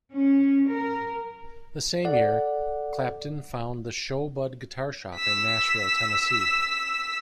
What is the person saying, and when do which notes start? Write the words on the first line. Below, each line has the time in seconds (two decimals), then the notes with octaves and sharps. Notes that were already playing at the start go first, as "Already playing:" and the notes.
The same year, Clapton found the Sho-Bud guitar shop in Nashville, Tennessee.
0.13 C#4
0.69 A#4
2.05 A4 D5 F#5
5.15 E6 B6